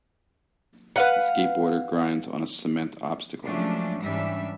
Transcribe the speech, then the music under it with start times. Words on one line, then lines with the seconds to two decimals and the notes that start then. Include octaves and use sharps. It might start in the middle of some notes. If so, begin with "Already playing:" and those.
A skateboarder grinds on a cement obstacle.
0.96 B4 F5 F#5
3.45 F3 F#3 G#3 A3 C#4 D4
4.00 G#2 E3 G3 C#4 D4 E5